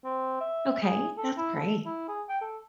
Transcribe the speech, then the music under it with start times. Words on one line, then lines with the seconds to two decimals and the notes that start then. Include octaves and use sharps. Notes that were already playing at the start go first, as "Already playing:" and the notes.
Okay, that's great.
0.04 C4
0.41 E5
0.82 G#4
1.17 A4
1.37 E4
1.56 A4
1.85 E4
2.09 G#4
2.29 G5
2.41 A4